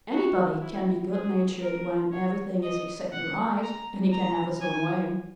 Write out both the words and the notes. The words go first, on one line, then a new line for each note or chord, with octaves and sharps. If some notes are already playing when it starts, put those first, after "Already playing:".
Anybody can be good-natured when everything is exactly right and he can have his own way.
F#4
E4
G#4
A#4
C#5
D#5
F#5
A#5
A#5
G#5